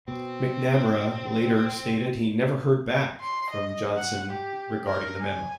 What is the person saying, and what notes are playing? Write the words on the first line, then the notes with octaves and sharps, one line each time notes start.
McNamara later stated he "never heard back" from Johnson regarding the memo.
B2 C4
C6
D#5
F#5
G4
A#4
G#5